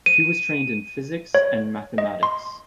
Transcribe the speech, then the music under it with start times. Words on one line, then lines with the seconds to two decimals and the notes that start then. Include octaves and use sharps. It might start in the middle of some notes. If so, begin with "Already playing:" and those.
He was trained in physics and mathematics.
0.06 D#7
1.35 C#5
1.98 D#5
2.23 C6